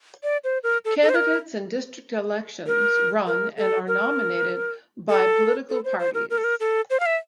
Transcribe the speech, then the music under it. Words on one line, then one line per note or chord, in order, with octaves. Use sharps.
Candidates in district elections run and are nominated by political parties.
D5
C5
A#4
A4
A4
C5
A#4
A#4
A#4
A4
A#4
A4
A4
C5
C5
A#4
A#4
A4
A#4
A4
C5
F5
E5